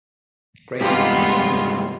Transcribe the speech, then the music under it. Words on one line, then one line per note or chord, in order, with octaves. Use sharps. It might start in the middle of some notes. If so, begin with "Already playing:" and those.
Grady was in the silo.
G2 C3 G#3 B3 D#4 F4 G4